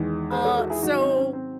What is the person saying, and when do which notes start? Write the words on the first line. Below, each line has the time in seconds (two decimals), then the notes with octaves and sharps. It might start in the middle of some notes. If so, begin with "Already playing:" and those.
Uh, so
Already playing: E2 D#3 G#3
0.32 G#4 C5
0.44 A4 C#5
0.57 F#4 A4
0.70 E4 G#4
0.83 G#2 D#3 F#3 D#4 F#4
1.00 C4 D#4
1.16 C#4
1.33 C4